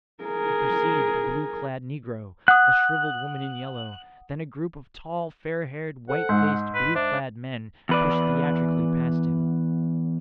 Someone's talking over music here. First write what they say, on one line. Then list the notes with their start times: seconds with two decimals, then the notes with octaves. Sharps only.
He perceived a blue-clad negro, a shrivelled woman in yellow, then a group of tall fair-haired, white-faced, blue-clad men pushed theatrically past him.
0.24 G#4 A#4
2.48 F#5 D#6 F#6
6.09 A4 C5 F#5
6.29 G#2 C6 E6 G6
6.75 B4
6.95 D4 C5 E5
7.89 E2 B4 D5